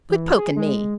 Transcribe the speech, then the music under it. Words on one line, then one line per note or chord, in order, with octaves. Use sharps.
"Quit poking me!"
E3
G#4
G#3